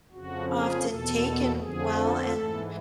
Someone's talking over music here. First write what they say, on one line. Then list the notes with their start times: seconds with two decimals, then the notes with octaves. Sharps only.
often taken well, and
0.12 F2 C#3 F3 F#4
0.49 G#4
0.86 E2 B2 A4
1.60 F2 D3 F3 G#4
1.96 A4
2.33 G#2 E3